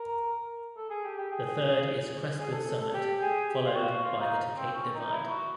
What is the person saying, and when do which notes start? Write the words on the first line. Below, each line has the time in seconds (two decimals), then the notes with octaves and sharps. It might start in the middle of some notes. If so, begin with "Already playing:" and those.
The third is Crestwood Summit followed by the Tecate Divide.
Already playing: A#4
0.77 A4
0.90 G#4
1.04 G4
1.18 G4
1.31 G#4
2.40 G#4
2.53 A4
2.67 A4
2.81 A4
2.94 G4
3.22 G#4
3.49 G4
3.65 F4
3.76 F#4
4.03 F4
4.21 D#4
4.57 C4
4.75 C#4
4.94 D#4
5.12 E4
5.30 F#4